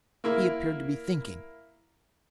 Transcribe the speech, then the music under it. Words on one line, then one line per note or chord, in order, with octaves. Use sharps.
He appeared to be thinking.
A#3 E4 A#4